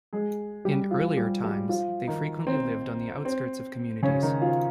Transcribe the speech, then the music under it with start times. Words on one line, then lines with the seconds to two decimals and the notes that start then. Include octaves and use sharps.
In earlier times, they frequently lived on the outskirts of communities.
0.13 G#3 G#4
0.65 G3 G4
0.91 F3 F4
1.17 G3 G4
1.44 G3 G4
1.69 F3 F4
2.08 D#3 D#4
2.47 C4
3.25 C4
4.03 C#3 C#4
4.23 D#3 D#4
4.42 F3 F4